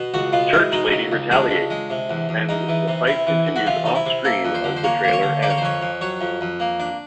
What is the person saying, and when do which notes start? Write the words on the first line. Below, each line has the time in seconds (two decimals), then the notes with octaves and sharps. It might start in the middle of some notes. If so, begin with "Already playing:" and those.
Church Lady retaliates and the fight continues offscreen as the trailer ends.
Already playing: B2
0.14 C#2 F#4
0.33 B2 F4
0.53 G#3 E4
0.72 B2 D#4
0.92 C#2
1.12 C#2
1.31 G#3 D4
1.51 C#2
1.70 G#3
1.90 C3
2.10 E2
2.29 E2
2.49 E2 D#4
2.69 E3
2.88 C3
3.07 C3 E4
3.27 E3
3.47 E2
3.56 F#4
3.66 C3 F4
3.85 C3 D#4
3.96 E4
4.06 C3
4.25 A#3 A4
4.45 F2
4.54 C5
4.64 D3
4.76 C5
4.83 A#3 C#5
5.04 A#3 C5
5.13 C#5
5.22 D3
5.42 A#3 D5
5.50 C#5
5.58 C5
5.62 F2 C#5
5.82 F2
6.01 F#3 C#5
6.21 F2
6.41 F2
6.60 A#3
6.80 D4